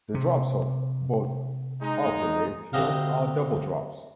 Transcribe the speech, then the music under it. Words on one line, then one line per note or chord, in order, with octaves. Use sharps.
The drops off both of the lift hills are double-drops.
C3
G#3 D#4
D2 C3 F#4 G4 D#5 F5